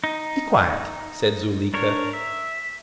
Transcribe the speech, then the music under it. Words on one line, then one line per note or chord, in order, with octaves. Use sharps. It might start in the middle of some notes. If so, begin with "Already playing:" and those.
"Be quiet," said Zuleika.
D#4
D4 A#4 C#5
E5